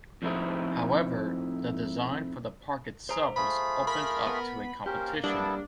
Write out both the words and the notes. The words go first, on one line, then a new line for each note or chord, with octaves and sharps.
However the design for the park itself was opened up to a competition.
F2 A2 F3 D#4 E4 G#4
G#4 C5 A#5 C6
A3 F4 G#4 B5
A#4 B5
B3 B4
A#3 C#4 G4 A#4 C5
G3 B3 D4 E4 A4